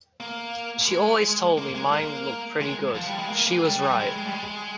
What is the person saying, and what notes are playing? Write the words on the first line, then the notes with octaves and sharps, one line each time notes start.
She always told me mine looked pretty good - she was right.
A#3
G#3
A#3
G#3
A#3
G#3
F3
G3
G#3
A#3
G#3
G3
G3
G#3
G#3
G3
G#3